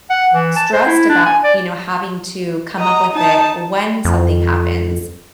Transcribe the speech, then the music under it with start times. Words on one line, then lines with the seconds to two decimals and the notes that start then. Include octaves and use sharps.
stressed about, you know, having to come up with it when something happens.
0.10 F#5
0.34 E3
0.56 A5
0.73 C5
0.87 E4
1.09 D4
1.26 G#5
1.44 D5
2.79 D#5 A#5
3.13 D#4 A5
4.05 F2